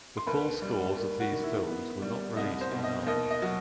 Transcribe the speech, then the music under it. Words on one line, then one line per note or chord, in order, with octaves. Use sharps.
The full scores of these films were not released on album.
C6
D#2 B4 B5
G3
D#2
F#4 F#5
D#3
E4 E5
B3
G3
C2 D#5
C5
B2
D#5
D#2 D#5
D#5
F#3